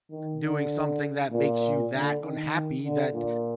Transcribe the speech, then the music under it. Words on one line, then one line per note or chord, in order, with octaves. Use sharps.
doing something that makes you that unhappy, that
D#3
D3
A#2
D3
D#3
D3
A#2